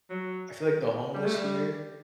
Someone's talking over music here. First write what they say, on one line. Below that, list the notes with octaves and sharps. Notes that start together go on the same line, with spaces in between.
I feel like the homeless here
F#3
G3
A3
G3